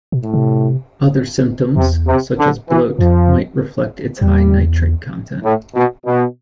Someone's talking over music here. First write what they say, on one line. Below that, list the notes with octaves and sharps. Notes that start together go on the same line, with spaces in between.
Other symptoms, such as bloat, might reflect its high nitrate content.
B2
A2
C3
E2 C3
C3
D3
E3
F2 F3
E2 G3
A2
B2
B2